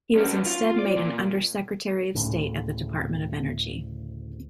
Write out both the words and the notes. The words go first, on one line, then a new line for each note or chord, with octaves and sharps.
He was instead made an Under-Secretary of State at the Department of Energy.
G2 C#4
F4
D5
A#2
D2 A2 C#3